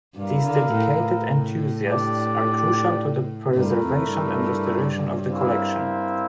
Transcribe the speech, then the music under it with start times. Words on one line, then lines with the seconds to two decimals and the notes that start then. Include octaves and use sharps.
These dedicated enthusiasts are crucial to the preservation and restoration of the collection.
0.15 G2 E4 A#4 F5
0.43 D3
0.71 A2
0.99 A2
1.84 D4 G4 D5
3.54 G2 A3 E4 A#4
3.84 F2
4.12 G2
5.25 C4 E4 A#4 F5